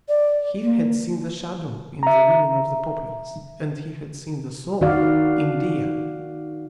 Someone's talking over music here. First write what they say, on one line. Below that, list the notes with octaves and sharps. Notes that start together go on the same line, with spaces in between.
He had seen the shadow in the women of the populace, and he had seen the soul in Dea.
D5
A#3
E5 A#5
D#3 F#4 D5 F5